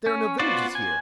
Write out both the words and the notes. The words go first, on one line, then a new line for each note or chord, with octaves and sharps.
There are no villages here?
C#4
B3 F4 F#4 C5 D5
G#5